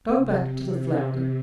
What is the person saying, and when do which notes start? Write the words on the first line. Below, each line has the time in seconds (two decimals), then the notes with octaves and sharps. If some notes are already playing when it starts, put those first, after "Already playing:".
Go back to the flounder.
0.13 C3